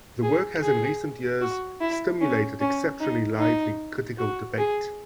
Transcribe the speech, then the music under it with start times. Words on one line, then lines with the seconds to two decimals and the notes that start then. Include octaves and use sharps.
The work has in recent years "stimulated exceptionally lively critical debate".
0.23 G#4
0.62 G#4
1.41 F#4
1.81 E4
2.21 C#4
2.60 C#4
3.00 D#4
3.39 D#4
4.19 F#4
4.58 G#4